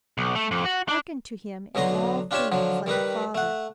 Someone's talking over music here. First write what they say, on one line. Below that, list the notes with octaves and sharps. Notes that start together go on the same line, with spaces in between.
Hearken to him in all things like a father.
B1
A3
F2
F#4
D4
B1 D3 F#3 D#5 A#5 C6
D4 F4 G4 C#5 A5 C#6
D3 F3 F#3
D#3 G3 D#4 B4
A3 F#5